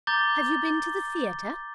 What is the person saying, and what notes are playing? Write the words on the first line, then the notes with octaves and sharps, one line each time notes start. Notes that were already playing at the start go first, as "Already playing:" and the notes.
"Have you been to the theatre?"
A#5 D6 G6 A6 G7